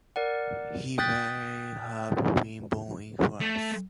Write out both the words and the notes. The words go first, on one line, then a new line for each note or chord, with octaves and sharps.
He may have been born in France.
A#4 D5 F#5
G5 D#6 F#6 G6 A6 B6
A3